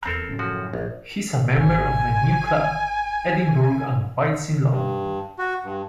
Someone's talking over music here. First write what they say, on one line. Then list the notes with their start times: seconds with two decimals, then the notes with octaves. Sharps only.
He is a member of the New Club, Edinburgh and Whites in London.
0.06 E2 C4 A4 A#4
0.27 F#2 A2 C#3
0.39 F3 F#4
0.73 A#1
1.57 G#1 G#5
4.71 G2
5.38 F#4
5.64 G2